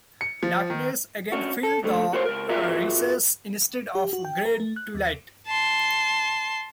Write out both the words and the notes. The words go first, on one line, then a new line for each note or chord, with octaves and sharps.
Darkness again filled the recess instead of the grey twilight.
C#7
F3
D#3
C#4 D4 F#4
A4
D#2 D3 A3
D#2 F#4 A#4 C5 C#5
C#2 A#4
F4 F#4 G#4 A#4 D#5 E5
G4
F#4
G5
A#4
A3
F#6
D#2
A5 C6